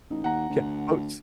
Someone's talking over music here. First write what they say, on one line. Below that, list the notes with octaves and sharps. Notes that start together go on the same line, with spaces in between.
Yeah, boats
A1 D#4
D#2 F#5 A#5
D2